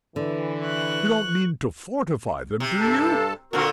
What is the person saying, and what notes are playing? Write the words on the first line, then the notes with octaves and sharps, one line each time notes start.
You don't mean to fortify them, do you?'
D3 E3
C#6 F#6
C3
G2 A4 A5
A#2 D3 C4 F#4 A#4